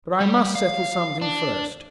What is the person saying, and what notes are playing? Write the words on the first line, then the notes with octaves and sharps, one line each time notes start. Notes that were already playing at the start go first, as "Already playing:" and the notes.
But I must settle something first.
G3
F5
D4